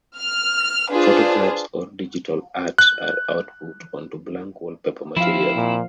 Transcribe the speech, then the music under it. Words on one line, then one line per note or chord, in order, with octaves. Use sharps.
Photographs or digital art are output onto blank wallpaper material.
F6
D4 F4 G#4 B4 C5
F#6
F3 C4 E4 F5
A#2